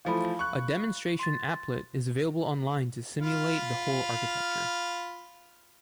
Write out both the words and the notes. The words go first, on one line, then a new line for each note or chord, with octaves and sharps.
A demonstration applet is available online to simulate the whole architecture.
E3 F3 A3 F5 B5
C#6 F#6
C6 A6
F4 F5 B5